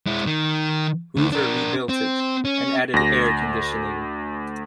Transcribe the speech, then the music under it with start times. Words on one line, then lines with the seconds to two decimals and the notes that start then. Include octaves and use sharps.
Hoover rebuilt it, and added air-conditioning.
0.07 G#3 E4
0.26 D#3
1.17 D2
1.32 D4 A#4
1.89 C4
2.45 C#4
2.94 D2 A#6